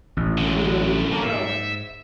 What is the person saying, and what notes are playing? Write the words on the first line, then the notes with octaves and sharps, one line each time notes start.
He made a loop in the rope.
A1
F#2 D3
A2 A#3
G#2 E5